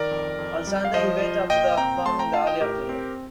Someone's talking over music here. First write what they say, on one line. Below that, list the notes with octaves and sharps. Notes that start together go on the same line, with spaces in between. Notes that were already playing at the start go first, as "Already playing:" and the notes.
On Sunday he went up to the farm in the early afternoon.
Already playing: D#3 A#4 D5
F2
F2
G3
F5
F3 C5 D#5
F4
A#2 D#5 G5
C4 G5 A#5
A3 A5 C6
G5 A#5
F4 F5 A5
D#5 G5
A2 G4 A#4
C4